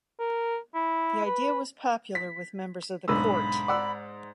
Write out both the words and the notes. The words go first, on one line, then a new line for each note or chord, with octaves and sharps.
The idea was popular with members of the court.
A#4
E4
B4
B6
B1 G#2 D3 B5 E6
D5 F#5 E6